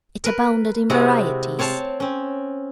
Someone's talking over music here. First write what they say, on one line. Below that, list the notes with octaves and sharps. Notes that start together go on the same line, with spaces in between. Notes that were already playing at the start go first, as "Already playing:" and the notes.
It abounded in varieties.
A#4 B4
C3 G#3 C4 E4 F#4
C4 C#5 F5 A5
C4 C#4